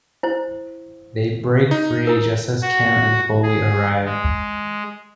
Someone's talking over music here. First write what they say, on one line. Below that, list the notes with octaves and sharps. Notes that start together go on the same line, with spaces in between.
They break free just as Kim and Foley arrive.
E4 C5
D#4
E4 A#4
F#4
G#4
G#3